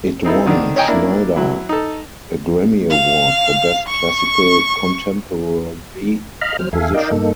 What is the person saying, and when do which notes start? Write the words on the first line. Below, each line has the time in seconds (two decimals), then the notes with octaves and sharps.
It won Schneider a Grammy Award for Best Classical Contemporary Composition.
0.24 C4 D#4 E4 A4
0.46 D3 D#3 C4 D4
0.76 C#5 D#5 G5 G#5 A#5
0.88 A#3 D4 E4
1.36 F#3 E4
1.69 D#4 A4
2.90 F5
3.88 C#6
6.41 D#5 F5 A#5 B5 F6
6.59 F#3 C5 F6
6.73 E2 A4 E5 F5 G#5
6.94 D#4 A#4 D5 D#5 F5 G5
7.12 G2 A#3 D#4 A4